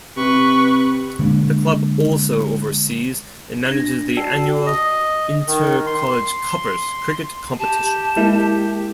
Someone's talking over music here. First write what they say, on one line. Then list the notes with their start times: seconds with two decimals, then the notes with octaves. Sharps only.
The club also oversees and manages the annual inter-college 'Cuppers' cricket competition.
0.17 C3 B4 C#6
1.19 D3 G#3 A#3 D4
3.70 D4 G#6 A#6
4.17 F#4 D5 G5 A5 E6 C7
4.67 D#5
5.47 D#3
5.87 C6
7.59 G4 A5
8.16 G#3 A#3 E4